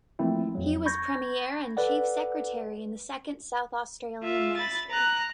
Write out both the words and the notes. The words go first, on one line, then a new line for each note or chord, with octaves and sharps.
He was Premier and chief secretary in the second South Australian ministry.
E3 F3 A3 A#3 C4 E4
F2 F#3
B5 C#6 G6 G#6 A#6
A4 B4 D5 F#5
F4 E5
B5 A6
A#5 F#6